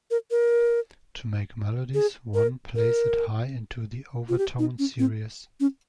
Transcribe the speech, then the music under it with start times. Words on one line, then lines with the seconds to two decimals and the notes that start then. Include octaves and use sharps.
To make melodies, one plays it high into the overtone series.
0.11 A#4
0.31 A#4
1.94 G#4
2.34 A#4
2.76 A#4
4.29 F4
4.38 G4
4.59 D#4
4.79 C#4
4.99 C4
5.60 C#4